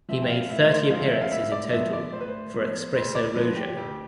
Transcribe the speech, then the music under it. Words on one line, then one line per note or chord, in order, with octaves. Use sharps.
He made thirty appearances in total for Expreso Rojo.
F3 C4 E4 E5
G5
F5
A2 E5
C5
F3 C4 E4 F5
E5
F5
A2 E5
D5
F3 B3 E5
D5
A2 C5
B4
C5
F3 B3
D2 C5
D5
D3 F3 B4
G4
D2 G4